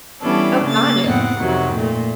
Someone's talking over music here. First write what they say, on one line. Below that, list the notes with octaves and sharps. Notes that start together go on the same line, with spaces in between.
Oh, got it.
E3 G3 B3 C#4 D4 A4
C#3 A3 A#3 A6
F2 A2 B3 C4 F#5
F2 C3 D#3 F#3
A#2 A3